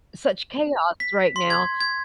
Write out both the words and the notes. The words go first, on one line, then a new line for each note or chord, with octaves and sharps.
such chaos right now.
B6
C6
G#6
G#6